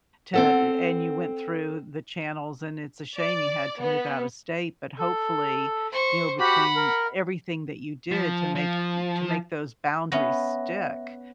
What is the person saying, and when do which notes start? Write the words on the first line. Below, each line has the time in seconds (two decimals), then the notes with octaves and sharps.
To and you went through the channels and it's a shame you had to move out of state, but hopefully, you know, between everything that you did to make to make those boundaries stick
0.34 C4 A4 F#5
3.16 D5
3.79 B3
4.99 A4
5.92 C5 C#6
6.39 F#4 G4 F#5 B5
6.76 A#4
8.12 F3
8.55 F3
10.12 B3 C#4 E5 A#6